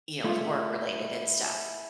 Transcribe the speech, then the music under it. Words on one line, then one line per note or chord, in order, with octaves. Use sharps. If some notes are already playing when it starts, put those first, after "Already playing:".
you know, it was work-related and stuff.
A3 E4 F4 G#4